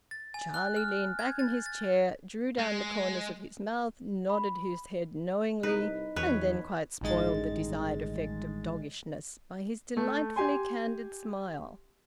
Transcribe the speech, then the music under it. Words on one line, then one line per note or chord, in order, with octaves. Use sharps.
Charlie leaned back in his chair, drew down the corners of his mouth, nodded his head knowingly, and then quite spoiled the desired effect of doggishness by his delightfully candid smile.
A6
G#5
F#6
F6
G#6
A6
A6
G#3
B5
C2 D#4 B4
D#1 E2 B4 C#5
A1 G2 D#3 G#3 A6
A3
G4 G#5 C6